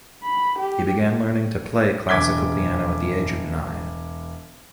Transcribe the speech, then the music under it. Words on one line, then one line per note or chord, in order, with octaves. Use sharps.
He began learning to play classical piano at the age of nine.
B5
G4
E1 D6 G#6 B6 G7